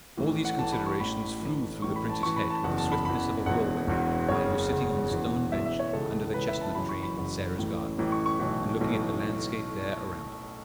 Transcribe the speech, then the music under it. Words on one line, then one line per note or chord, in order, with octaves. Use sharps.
All these considerations flew through the prince's head with the swiftness of a whirlwind while he was sitting on the stone bench under the chestnut-tree in Sarah's garden, and looking at the landscape there around him.
A1 A2 E3
F#5
A1 A2 E3 A5
B5
C#6
A1 A2 E3 B5
A1 A2 E3
A1 A2 E3 C#6
B5
A5
A1 A2 E3 C#6
B5
A5
F#1 E2 E3 F#5
A5
B5
F#1 E2 E3 B5
E1 E2 E3 F#5
E1 E2 E3
F#1 E2 C#3 C#5
F#1 E2 C#3
E1 E2 E3
E1 E2 E3 E5
E5
C#5
C#2 C#3 E3 A4
C#2 C#3 E3 B4
E5
A5
F#1 F#2 E3 B5
C#6
B5
F#1 F#2 E3
A1 A2 E3
A1 A2 E3
C#6
C#6
B1 A2 E3
B1 A2 E3